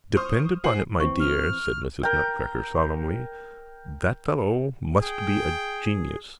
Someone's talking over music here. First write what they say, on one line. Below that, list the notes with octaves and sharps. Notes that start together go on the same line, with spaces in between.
"Depend upon it, my dear," said Mrs. Nutcracker solemnly, "that fellow must be a genius."
C5 C6 C#6 D#6 F6
G#4 C5 F#5 C7 F#7
E3 C4 C#6
F6
A#4 G5
G#4 G5